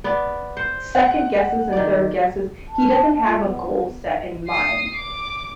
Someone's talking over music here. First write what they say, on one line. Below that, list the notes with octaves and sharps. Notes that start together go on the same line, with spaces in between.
second-guesses and third-guesses. He doesn't have a goal set in mind,
B3 D5
C5
F#5
D#3 D5
A5
F4
B3
D#6 C7
D6